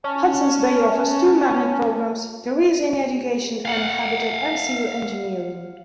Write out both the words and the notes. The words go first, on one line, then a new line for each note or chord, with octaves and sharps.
Hudson's Bay offers two magnet programs-Careers in Education, and Habitat and Civil Engineering.
C#4 A5
F5 F#5